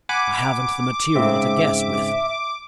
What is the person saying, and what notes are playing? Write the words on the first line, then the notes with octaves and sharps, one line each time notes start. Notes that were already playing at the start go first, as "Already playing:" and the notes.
I haven't the material to guess with.
F#5 G#5 B5 D6
G#2 C#3 C4 E5